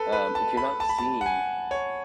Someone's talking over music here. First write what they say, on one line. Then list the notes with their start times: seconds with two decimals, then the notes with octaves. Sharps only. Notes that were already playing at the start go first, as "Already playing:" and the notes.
Um, if you're not seeing
Already playing: A4 B4
0.12 B4
0.35 A5
0.57 B5
0.80 A5
0.89 B5
0.98 A5
1.21 F#5
1.26 G#5
1.71 C#5